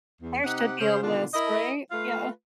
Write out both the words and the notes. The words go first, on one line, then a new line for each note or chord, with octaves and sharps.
There should be a list, right? Yeah.
E2
C3 D#4 G4 F#5
C#3 C5
B2 D3 D#3 D4 F4
E4 A#4 D#5
A3 F4 B4 F5